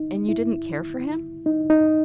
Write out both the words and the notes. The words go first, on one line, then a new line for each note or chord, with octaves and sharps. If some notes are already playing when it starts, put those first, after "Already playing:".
"And you didn't care for him!"
Already playing: D#4
E4
D#4
D#4